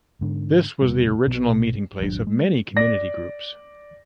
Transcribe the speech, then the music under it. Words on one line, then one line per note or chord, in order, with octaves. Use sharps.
This was the original meeting place of many community groups.
G#2 D3
E1 C3 G3
B1 B2 B3
D#1 G#1 F#3 D4
G#3
D5 A#6